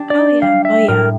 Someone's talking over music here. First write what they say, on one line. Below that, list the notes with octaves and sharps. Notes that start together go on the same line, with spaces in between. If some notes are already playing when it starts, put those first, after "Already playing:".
Oh, yeah, oh, yeah.
Already playing: D4 G4
D5
G3 F5
E5
A2 A#4